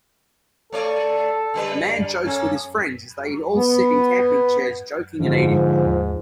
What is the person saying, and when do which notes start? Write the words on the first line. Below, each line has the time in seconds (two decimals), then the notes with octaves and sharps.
A man jokes with his friends as they all sit in camping chairs joking and eating.
0.72 A3 A4 C#5 D5
1.54 D3 G3 B4
2.25 A#3 C#4 A4
3.56 B3
5.21 G#2 D3 F3
5.86 D#2